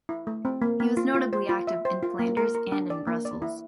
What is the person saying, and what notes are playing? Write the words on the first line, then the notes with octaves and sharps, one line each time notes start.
He was notably active in Flanders and in Brussels.
E4
A3
C4
A#3
A#3
F4
F4
C5
F4
E5
C5
F4
A#3
A#4
A#4
D4
D5
A#3
D5
E4